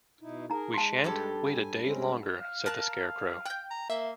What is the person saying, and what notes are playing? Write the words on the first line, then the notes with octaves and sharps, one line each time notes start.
"We shan't wait a day longer," said the Scarecrow.
B2 D#4 E4
D#4 G#4 A#4 A#5
G#3 A5 C6
G2 G4 A4
G#5
G#3 C4 C#4
F5
A#4 A5 F#6
G5 F#6 G6
A#5
A#3 E5